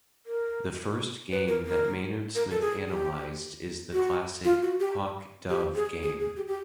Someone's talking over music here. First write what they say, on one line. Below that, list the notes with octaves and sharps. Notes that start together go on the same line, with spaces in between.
The first game that Maynard Smith analysed is the classic Hawk Dove game.
A#4
B4
A#4
A#4
A#4
A4
G#4
G4
F#4
F4
F#4
G4
G4
G#4
G#4
G#4
G4
G4